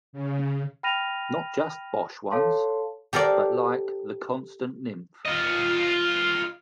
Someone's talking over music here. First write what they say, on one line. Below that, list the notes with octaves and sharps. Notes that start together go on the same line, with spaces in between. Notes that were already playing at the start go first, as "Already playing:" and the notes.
Not just bosh ones, but like "The Constant Nymph".
C#3
G5 B5 F6 A#6 D#7 F7
A4 C#5 F5 A5 C6
G4 A4 A#4 C5 D5
F4 D#5